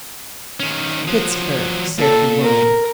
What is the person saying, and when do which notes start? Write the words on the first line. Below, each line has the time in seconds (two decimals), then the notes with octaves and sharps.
"Pittsburg," said the woman.
0.60 D#3 C#4
1.07 F3 F#3
1.98 A#2 A4
2.43 A#4